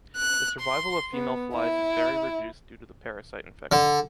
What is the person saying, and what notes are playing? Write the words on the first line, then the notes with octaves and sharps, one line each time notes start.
The survival of female flies is very reduced due to the parasite infection.
F#6
C6
B3
E4
D3